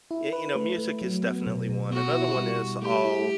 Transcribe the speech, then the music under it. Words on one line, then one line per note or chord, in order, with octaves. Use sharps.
y you know, music is definitely one. Another one is I'll
E4
B4
A3
A3
F#3
B3
B2
B2
B3 F#4
E4
G3
G3
A3 G4
E4